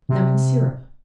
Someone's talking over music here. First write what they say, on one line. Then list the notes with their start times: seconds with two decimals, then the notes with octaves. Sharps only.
Lemon Syrup.
0.09 C3